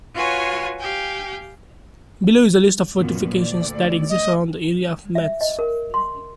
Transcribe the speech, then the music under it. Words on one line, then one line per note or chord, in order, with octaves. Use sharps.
Below is a list of the fortifications that exist around the area of Metz.
F4 F#4 B4 C#5 G#5 C6
G4 F5 G5 G#5
F#2 A#2 B3
D2 D5
D#5
E5
D#5
A#4
C6